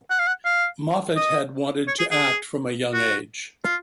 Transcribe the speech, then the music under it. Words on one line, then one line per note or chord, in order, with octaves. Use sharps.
Moffatt had wanted to act from a young age.
F#5
F5
F#5
F5
D#5
C#5
G#4
G#4
F#4
F4